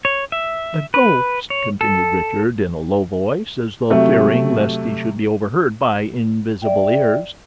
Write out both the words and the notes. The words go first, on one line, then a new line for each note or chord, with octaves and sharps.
"The ghost!" continued Richard, in a low voice, as though fearing lest he should be overheard by invisible ears.
C#5
E5
B4
C#5
A4
C3 F#3 A3
D5 E5 G5